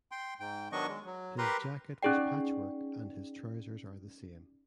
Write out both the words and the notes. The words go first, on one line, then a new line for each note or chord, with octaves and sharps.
His jacket was patchwork and his trousers are the same.
G5 C6
G#2 G5
D#3 F#3 B3 D4 D#5 C#6
G#3
F#3
G4 A#4 B4 A#5 C6
C#4 D#4 G#4 D5 G5